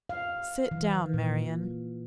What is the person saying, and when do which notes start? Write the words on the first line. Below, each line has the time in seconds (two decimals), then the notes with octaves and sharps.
Sit down, Marian.
0.09 F5
0.71 E3
1.14 A#2